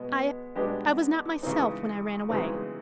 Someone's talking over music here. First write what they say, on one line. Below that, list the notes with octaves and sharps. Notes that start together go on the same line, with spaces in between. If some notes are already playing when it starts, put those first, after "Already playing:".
I--I was not myself when I ran away.
Already playing: B2 G#3 B3
B2 G#3 B3 D4 G4
C#3 E3 G#3 C4 D#4
C#3 E3 G#3 C4 D#4